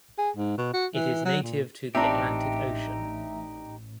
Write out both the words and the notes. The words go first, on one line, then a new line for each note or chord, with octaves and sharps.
It is native to the Atlantic Ocean.
G#4
G#2
B2
F#4
E3
F#3
A#2
A1 C4 D4 D#4 G4 E5 A#5